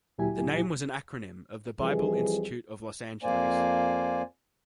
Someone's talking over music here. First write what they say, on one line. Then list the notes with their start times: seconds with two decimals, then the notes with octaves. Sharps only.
The name was an acronym of the "Bible Institute of Los Angeles".
0.18 D2 A#2 F#3 E4 G4 G#5
1.79 F2 E3 G3 G#4
3.23 F2 A#3 C5 D5 G#5